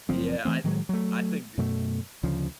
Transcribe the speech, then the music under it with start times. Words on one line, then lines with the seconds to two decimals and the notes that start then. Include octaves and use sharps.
Yeah, I I think g
0.09 F#1 F3 C4
0.45 E3 A3 C4
0.64 A2 D#3 F#3 G#3
0.89 F#3 A3
1.58 F#2 B2 A3
2.23 D2 C#3 F3